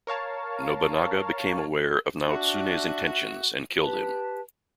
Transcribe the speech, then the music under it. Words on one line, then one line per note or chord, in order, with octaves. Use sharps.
Nobunaga became aware of Naotsune's intentions, and killed him.
A#4 C#5 F5 A5
D4 F#4 E5
G4 B4 A5